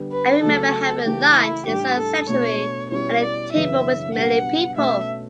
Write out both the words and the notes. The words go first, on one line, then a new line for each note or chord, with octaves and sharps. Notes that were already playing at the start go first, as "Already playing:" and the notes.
I remember having lunch inside the sanctuary, and a table with many people.
Already playing: D3 G3 B3
B4
C#3 F#3 A3 A4
C#3 E3 A3 G4
E4
A2 G3 D4 G4
A4
B2 A3 D4 C#5
B2 G3 C#4 E4 C#5
D5
F#2 C#3 E3 B3 D4 E5
B2 G3 B3 D4 F#5
B2 A3 C#4 E5